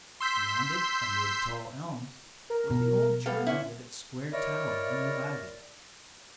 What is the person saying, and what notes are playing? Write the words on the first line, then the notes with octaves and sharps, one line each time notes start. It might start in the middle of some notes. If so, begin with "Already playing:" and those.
Beyond it, amid tall elms, was the old church with its square tower hung with ivy.
C6 E6 G6 B6
A#4
B2
G3 B3 A4 F5
D3 C#4 E4
D#4 E4 A#4 C#5 D5